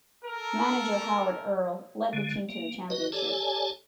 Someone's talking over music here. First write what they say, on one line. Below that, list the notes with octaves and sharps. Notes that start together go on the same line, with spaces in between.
Manager Howard Earl led the team to the championship.
A4 A#4
D3 G#3
A#3
F#4 B4 D#5
G4 A4 C#5 D5 G#5 A5